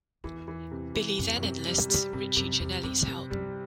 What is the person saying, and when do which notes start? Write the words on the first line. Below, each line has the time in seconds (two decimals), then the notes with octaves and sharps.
Billy then enlists Richie Ginelli's help.
0.24 E2 E3
0.48 E3
0.71 C3
0.95 E3
1.18 F#2 C3
1.27 E2
1.36 F#2
1.42 C3
1.66 G3
1.89 G3
2.13 G2 C3
2.36 F#2 C3
2.60 E2 C3
2.83 E2 C3
3.08 F#2 C3
3.30 F#2 G3